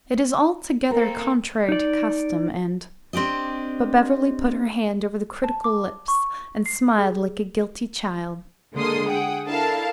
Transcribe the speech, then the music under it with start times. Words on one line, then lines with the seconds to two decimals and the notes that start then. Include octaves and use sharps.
"It is altogether contrary to custom, and--" but Beverly put her hand over the critical lips and smiled like a guilty child.
0.91 A#3 C4 A4 A#4
1.69 D#4 D5
3.13 C4 D4 G4 D#5
5.44 A5
5.64 D6
6.08 C#6
6.66 C7
6.98 G#4
8.75 D3 G#3 A#3 A4 C6 D#6
9.08 G#4 F#5 G5 D#6
9.47 D4 E4 A4 A#4 F5 A5